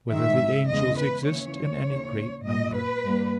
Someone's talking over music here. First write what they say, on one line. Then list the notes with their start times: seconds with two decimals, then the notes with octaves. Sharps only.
Whether the Angels Exist in Any Great Number?
0.11 G#2 D#3 G#3 E5
0.69 E2 C#3 E3 G#3 D#5
0.98 B4
1.28 D#2 C#3 E3 C#5
1.87 D#2 C#3 E3 A#3
2.45 A#2 G3 A#3 D#5
2.75 B4
3.04 G2 G3 A#3